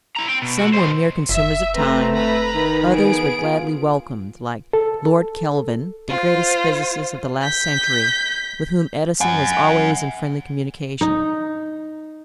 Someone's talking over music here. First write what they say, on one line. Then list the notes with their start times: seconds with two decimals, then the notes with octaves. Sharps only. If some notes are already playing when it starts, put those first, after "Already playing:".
Some were mere consumers of time; others were gladly welcomed, like Lord Kelvin, the greatest physicist of the last century, with whom Edison was always in friendly communication.
0.17 E4 A#5
0.29 C4 G5
0.42 B2
0.59 A3 F#4
0.74 B2 C5
1.29 F#1 E5
1.78 A3 C4 B4 A#5
2.13 B4 A#5 B5
2.55 D#3
2.92 B3 G#4 D7
3.44 F4
4.73 A4
6.09 F4 C5
7.42 G6 B6
9.21 F#5 G#5
11.01 D#4